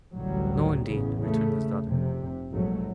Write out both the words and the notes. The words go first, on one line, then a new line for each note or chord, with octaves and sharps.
'No, indeed,' returned his daughter.
A1 D2 F#3 G3
A1 E2 C#3
C#3 A3
F1 C3
A#1 G#2 F#3 A3